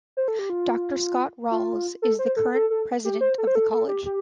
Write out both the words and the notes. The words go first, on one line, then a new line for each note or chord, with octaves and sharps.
Doctor Scott Ralls is the current president of the College.
C5
A4
G4
F4
F4
A4
C5
A4
A4
A4
G4
C5
A4
C5
A4
A4
G4
G4